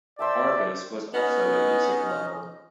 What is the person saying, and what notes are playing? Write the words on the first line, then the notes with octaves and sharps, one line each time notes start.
Arbus was also a music lover.
C5 D5 E5 G5 A5
B3 C#4 D#4 D#5